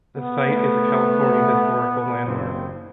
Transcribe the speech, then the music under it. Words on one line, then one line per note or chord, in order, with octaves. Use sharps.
The site is a California Historical Landmark.
B3
A3
F#1 D#2 C4